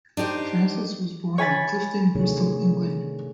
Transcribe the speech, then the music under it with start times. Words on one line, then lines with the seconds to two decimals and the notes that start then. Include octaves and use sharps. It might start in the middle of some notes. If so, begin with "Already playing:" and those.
Francis was born in Clifton, Bristol, England.
0.17 D4 D#4 G4 C5
1.38 C#5 G#5 B5 A6
2.15 C3 D#3 A3 D4 G#4 C#5